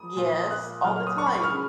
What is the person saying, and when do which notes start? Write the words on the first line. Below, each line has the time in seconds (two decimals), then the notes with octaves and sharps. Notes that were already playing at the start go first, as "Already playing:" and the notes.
Yes, all the time.
Already playing: D#6
0.17 A#2 F3
0.51 F#6
0.84 A#2 F#3 F6
0.96 F6
1.07 D#6
1.18 C#6
1.26 B5
1.35 C#6
1.44 F6
1.52 C#3